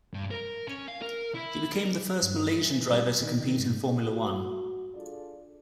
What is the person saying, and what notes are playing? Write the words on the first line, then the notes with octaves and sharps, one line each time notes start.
He became the first Malaysian driver to compete in Formula One.
G2
A#4
C#4
F5
A#4
E4
A#4
G2
E3
G3
D#3
D#3
G#2
F#4
D4 F4 G#4 A4 D5